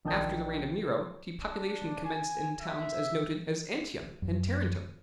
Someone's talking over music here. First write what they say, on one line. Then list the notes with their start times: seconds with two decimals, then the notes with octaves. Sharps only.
After the reign of Nero, depopulation commenced in towns as noted as Antium and Tarentum.
0.05 A#1 D#3 D5 A5 D#6 G6
1.42 D4
2.05 G#5
2.61 E5
4.22 F#2